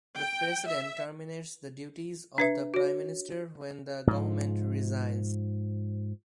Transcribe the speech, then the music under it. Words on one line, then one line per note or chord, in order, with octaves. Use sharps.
The President terminates the duties of the Prime Minister when the Government resigns.
G5
E5
D4 B4 E5
F#4 C#5
G#2 F3